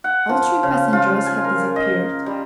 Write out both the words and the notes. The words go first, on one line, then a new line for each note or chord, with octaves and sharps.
All three passengers had disappeared.
F#5
F3
C#3
F4
G#5
A#4
D#5
G3